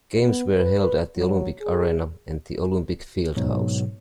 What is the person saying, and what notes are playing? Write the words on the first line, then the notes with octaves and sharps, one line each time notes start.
Games were held at the Olympic Arena and the Olympic Fieldhouse.
B3
B4
F#3
G#4
G#2 B2 F#3